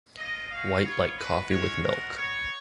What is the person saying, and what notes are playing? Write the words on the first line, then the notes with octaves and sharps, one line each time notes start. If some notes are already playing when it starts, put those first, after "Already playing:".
White like coffee with milk!
A#3 F4 D#5
G#3 D#4 F#4 F5
B3 F4 C#5
G#3 B3 F#4 B4
G#3 C#4 F#4 C#5
G#3 B3 F#4 A#4
B3 D#4 F#4 C#5